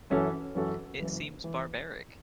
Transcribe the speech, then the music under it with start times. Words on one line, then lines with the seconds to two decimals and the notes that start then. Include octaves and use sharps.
It seems barbaric.
0.10 F#2 E3 C#4 F#4 A4
0.55 F#2 E3 C#4 F#4 A4
1.00 F#1 F#2 E3
1.44 E3